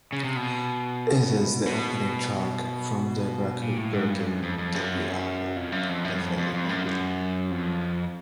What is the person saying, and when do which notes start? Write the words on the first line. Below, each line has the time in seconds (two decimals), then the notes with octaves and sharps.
It is the opening track from their record breaking debut album, "Definitely Maybe".
0.13 C#3
0.24 C3
0.36 B2
1.67 B2
3.61 A#2
3.77 A2
3.93 G#2
4.10 G2
4.26 F#2
4.43 F2
4.58 F2
4.74 F#2
5.56 F2
5.72 F#2
5.89 F2
6.05 F#2
6.15 F#2
6.21 F2
6.37 F2
6.54 F2
6.69 F#2
6.86 F#2
7.51 F2